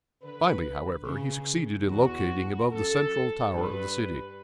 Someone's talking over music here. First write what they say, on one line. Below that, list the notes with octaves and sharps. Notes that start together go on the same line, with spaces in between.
Finally, however, he succeeded in locating above the central tower of the city.
D3 B4
C#3
E2 F#4
F#2 A4
G2 B4